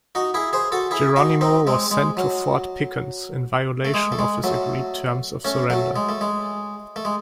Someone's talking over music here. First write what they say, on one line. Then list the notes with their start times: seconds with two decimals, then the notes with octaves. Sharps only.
Geronimo was sent to Fort Pickens, in violation of his agreed terms of surrender.
0.15 D#4 F#4
0.34 E4 G#4
0.53 G#4 C5
0.72 F#4 A4
0.91 E4 G#4
1.16 D#4 F#4
1.41 C4 D#4
1.67 G#3 C4
1.91 G#3
2.17 F#3
3.85 A3
3.94 G#3
4.12 A3
4.19 G#3
4.44 F#3 A3
5.45 A3 C#4
5.70 F#3 A3
5.96 G#3
6.09 A3
6.21 G#3
6.96 A3
7.05 G#3